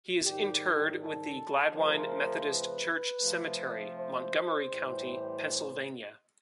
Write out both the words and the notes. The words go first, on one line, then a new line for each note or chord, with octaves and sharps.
He is interred in the Gladwyne Methodist Church Cemetery, Montgomery County, Pennsylvania.
G#2 D#3 G3 G4
A4
F2 C#3 F3 A3 C4 A#4
B4
C3 F3 A3 C4
C5
A2 E3 G3